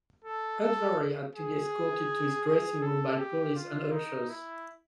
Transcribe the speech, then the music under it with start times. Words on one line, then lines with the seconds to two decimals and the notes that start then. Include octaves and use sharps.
Udvari had to be escorted to his dressing room by police and ushers.
0.24 A4
0.61 A4
1.35 G#4
2.45 G#4
2.82 A4
3.18 G4
3.55 F4
3.92 D#4
4.29 E4